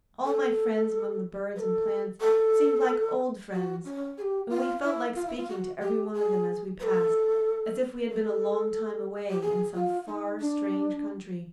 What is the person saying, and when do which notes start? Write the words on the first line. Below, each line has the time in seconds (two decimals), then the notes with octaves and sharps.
All my friends among the birds and plants seemed like OLD friends, and we felt like speaking to every one of them as we passed, as if we had been a long time away in some far, strange country.
0.25 A4
1.56 B4
1.59 A4
2.20 A4
3.52 F#4
3.84 C#4
4.18 G#4
4.22 G4
4.50 F4
4.83 E4
5.15 F4
5.27 E4
5.37 F4
5.49 F#4
5.81 G4
6.13 G#4
6.80 B4
6.83 A4
8.10 A4
9.30 G4
9.41 G#4
9.75 F4
10.07 D#4
10.40 D4